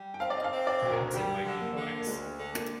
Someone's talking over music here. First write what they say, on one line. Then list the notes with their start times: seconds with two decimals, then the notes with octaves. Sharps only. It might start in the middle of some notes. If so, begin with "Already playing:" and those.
Perhaps it might be wise.
Already playing: G3
0.14 G5
0.20 C4 F5
0.30 D5
0.37 D#5
0.44 F5
0.52 C4
0.67 D5
0.83 D2
0.91 A#4
1.14 G3 G4
1.45 D3
1.60 A#3
1.76 D3
1.98 A#3
2.07 D2 G#3
2.38 D3
2.54 A#3